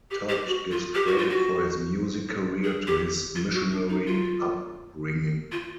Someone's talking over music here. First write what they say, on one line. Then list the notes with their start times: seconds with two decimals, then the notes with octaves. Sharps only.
Todd gives credit for his music career to his missionary upbringing.
0.11 G4
0.29 G4
0.47 F#4
0.71 F4
0.95 G4
1.06 F#4
1.18 F4
1.29 F#4
2.64 G#4
2.87 G4
3.35 F4
3.53 F#4
3.72 D4
3.89 D#4
4.07 F4
5.52 F4